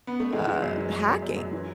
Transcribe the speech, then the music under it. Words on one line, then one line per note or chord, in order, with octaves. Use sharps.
uh, hacking
B3
A3
E3 G#3
E3
F#2
E3
F#2
F#2
F#2
F#2
E3